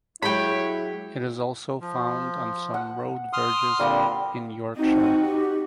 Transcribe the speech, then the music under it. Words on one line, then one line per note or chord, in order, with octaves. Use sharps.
It is also found on some road verges in Yorkshire.
F#3 G#3 E4 G4 C#5 G5 B5
F3
F#5
C6 D#6 F6
A#2 D3 G3 C4 F5
C4 D#4 F#4
G4